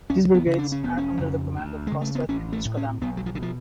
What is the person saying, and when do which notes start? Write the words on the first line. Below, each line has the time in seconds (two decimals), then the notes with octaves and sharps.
These brigades are under the command of Kostrad and each Kodam.
0.10 C#2 C#4
0.34 B3
0.46 C#3
0.59 D4
0.72 C#4
0.83 F1 B3
0.97 C#4
1.19 F2 C#3
1.56 D2
1.87 C#3 G#3
2.01 A3
2.15 B3
2.28 A1 C#4
2.53 A3
2.65 A2
2.77 C#4
3.01 B1 B3
3.17 F#3
3.26 F3
3.35 D3
3.38 B2 F3